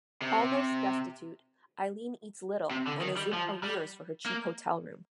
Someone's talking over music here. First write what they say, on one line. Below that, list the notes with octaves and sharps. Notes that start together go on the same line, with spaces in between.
Almost destitute, Eileen eats little and is in arrears for her cheap hotel room.
C3
C3
D3
D#3
G3
F3
G3
A#3